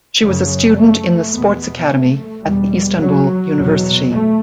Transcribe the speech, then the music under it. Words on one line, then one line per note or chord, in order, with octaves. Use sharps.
She was a student in the "Sports Academy" at the Istanbul University.
F#2 C#3
A3
E2 B2 B3
A3
E2 B2 G3
F#3
E2 B2 F#3
A3